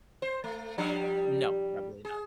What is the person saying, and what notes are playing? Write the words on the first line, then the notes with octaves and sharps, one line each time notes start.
No. Probably
C5
A3
F3 G3 D4
G#4